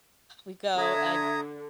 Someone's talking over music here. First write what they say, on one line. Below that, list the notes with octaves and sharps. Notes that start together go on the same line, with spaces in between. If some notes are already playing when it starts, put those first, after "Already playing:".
we go I
D3 E5 A#5 D#6 G#6